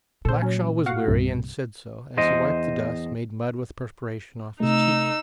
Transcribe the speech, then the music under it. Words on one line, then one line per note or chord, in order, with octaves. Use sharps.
Blackshaw was weary, and said so, as he wiped the dust, made mud with perspiration, off his cheeks.
A#2 A4 C5
F#3 C#4
F#4 F5 F#5
C2 G2 C3
E2 C5 D#5
C3 A3 D#4 E6